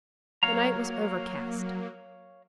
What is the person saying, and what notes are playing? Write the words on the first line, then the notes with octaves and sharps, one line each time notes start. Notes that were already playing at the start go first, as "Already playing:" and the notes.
The night was overcast.
F#3 A#3 C#5 F5 A#5